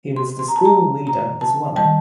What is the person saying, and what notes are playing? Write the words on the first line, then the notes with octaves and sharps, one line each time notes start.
He was the school leader as well.
C6
C6
A#5
A5
A#5
A#5
A5
D#3 G3 A5